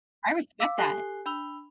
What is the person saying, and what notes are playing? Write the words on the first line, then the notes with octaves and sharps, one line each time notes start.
I respect that.
F5 D6 E6
G4 A4 G#5 F#6 C7 G7
D4 B5 E6 F7 G7